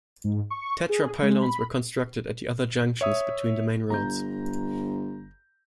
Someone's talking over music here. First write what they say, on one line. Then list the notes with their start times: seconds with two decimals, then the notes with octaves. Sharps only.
Tetrapylones were constructed at the other junctions between the main roads.
0.24 G#2
0.50 C#6
0.89 G#4
1.22 G#3
1.42 B5
3.01 C#5 E5 D#6
3.90 G1 A#5 G6